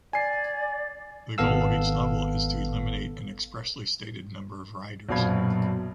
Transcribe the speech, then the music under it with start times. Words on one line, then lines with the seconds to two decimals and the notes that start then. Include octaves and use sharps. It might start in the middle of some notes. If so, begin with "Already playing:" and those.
The goal of each level is to eliminate an expressly stated number of riders.
0.13 D5 G#5 C7
1.38 G#1 B3 A4 F5 E6
5.09 A#1 F#2 B2 F5 B5 G#6